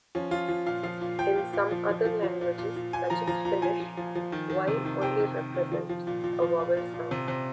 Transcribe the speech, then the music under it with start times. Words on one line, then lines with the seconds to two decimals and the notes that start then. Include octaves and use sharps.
In some other languages, such as Finnish, "y" only represents a vowel sound.
0.15 F3 C#4
0.31 F3 F4
0.49 F3
0.66 A#2 F5
0.83 F3 F5
1.01 A#2
1.19 F3 G5
1.36 A#2
1.53 A#2
1.71 F3
1.89 F3
2.05 F3
2.23 F3
2.41 A#2
2.58 A#2
2.76 A#2
2.93 A#2 G#5
3.10 F3 A#5
3.27 F3 A#5
3.45 A#2 A#5
3.62 F3 G#5
3.80 F3
3.97 F3
4.15 F3
4.32 D#3
4.50 D#3
4.67 C3
4.85 D#3
5.02 C3 G5
5.20 D#3
5.36 D#3
5.55 D#3
5.72 F3
5.89 F3
6.07 A#2
6.24 A#2
6.42 F3
6.59 A#2
6.77 A#2
6.94 A#2
7.11 C3
7.28 C3